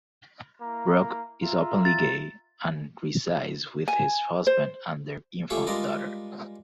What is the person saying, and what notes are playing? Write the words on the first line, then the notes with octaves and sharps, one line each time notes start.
Bruck is openly gay and resides with his husband and their infant daughter.
A#3 E4 A#5
F4 E5 A#5
A6
G#5
C5
F3 A3 C#4 G4 C#5 E5
G3 G#3 F4 A#4 D5 D#5